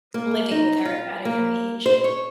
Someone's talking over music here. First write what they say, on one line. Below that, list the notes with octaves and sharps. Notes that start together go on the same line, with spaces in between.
living with her at a young age,
A#3
D#4
F4
A#3
C5
C#5